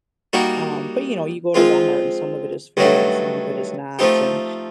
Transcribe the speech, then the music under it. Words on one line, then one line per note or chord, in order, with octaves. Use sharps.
um, but, you know, you go to Walmart, and some of it is food and some of it is not, and,
G3 A#3 D#4 F#4 A#4
F3 G#3 C4 F4
G2 D#3 F#3 A3
F3 A3 C4 D#4 G4